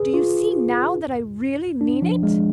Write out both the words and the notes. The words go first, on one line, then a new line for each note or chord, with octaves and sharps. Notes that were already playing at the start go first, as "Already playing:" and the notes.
Do you see now that I really mean it?'
Already playing: G#4 B4
F4
D4
F3
G#3